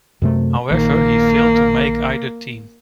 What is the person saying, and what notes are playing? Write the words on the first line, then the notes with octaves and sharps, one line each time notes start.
However, he failed to make either team.
F#2 C3 A3
A#1 D#3 A#3